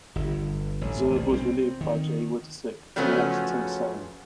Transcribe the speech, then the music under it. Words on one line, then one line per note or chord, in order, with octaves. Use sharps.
Zerbe was relieved by Jay Witasick, who walked Tim Salmon.
G1
A1
C2
C4
D#3
C#3 F3 F#3 A3 B3 C#4